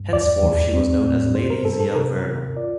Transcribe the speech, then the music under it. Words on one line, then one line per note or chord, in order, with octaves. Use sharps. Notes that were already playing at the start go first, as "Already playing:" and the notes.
Henceforth she was known as Lady Zia Wernher.
Already playing: G2
E2 D5
E2
C4
A2
G2 C5
A#4
G2 A4
A4
C3 A#4
C3
F4 D5